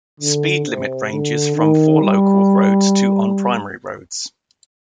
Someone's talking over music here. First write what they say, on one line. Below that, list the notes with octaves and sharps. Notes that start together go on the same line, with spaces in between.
Speed limit ranges from for local roads to on primary roads.
D3
C3
D3
D#3
G3